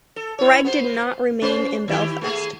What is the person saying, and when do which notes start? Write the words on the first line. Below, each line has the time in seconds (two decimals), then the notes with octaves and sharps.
Greg did not remain in Belfast.
0.16 A4
0.39 E4 C#5
0.65 B3 C5
1.42 C#4 B4 C5
1.88 D#3 E4 G4
2.21 A3 B3 G#4